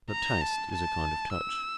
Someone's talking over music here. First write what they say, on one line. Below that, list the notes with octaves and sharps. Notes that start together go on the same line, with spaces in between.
But taste is a kind of touch.
A#5
A5
A5
E6